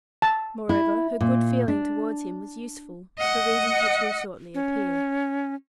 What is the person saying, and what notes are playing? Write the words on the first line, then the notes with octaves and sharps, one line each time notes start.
Moreover, her good feeling towards him was useful, for reasons which will shortly appear.
A5
E4
A#2
D4
D#5 F#5
C#4